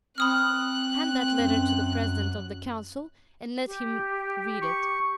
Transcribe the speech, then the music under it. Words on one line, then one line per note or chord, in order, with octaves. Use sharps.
Hand that letter to the President of the Council, and let him read it.
C4 B5 D#6 F6 F#6
F#2
G4
C#6